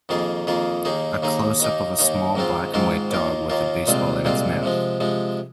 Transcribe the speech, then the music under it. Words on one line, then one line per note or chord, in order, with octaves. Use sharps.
A closeup of a small black and white dog with a baseball in its mouth.
F2 D#3 A#3 F4 G#4
F2 D#3 A#3 F4 G#4
D#2 D#3 A#3 D#4 G#4
D#2 D#3 A#3 D#4 G#4
D#2 D#3 A#3 D#4
D#2 D#3 A#3 D#4
G#2 D#3 G#3 C4 F4
G#2 D#3 G#3 C4 F4
D#2 D#3 A#3 F4
D#2 D#3 A#3 F4
C2 A#2 G#3 C4 F4
C2 A#2 G#3 C4 F4
C3 F3 G#3
C3 F3 G#3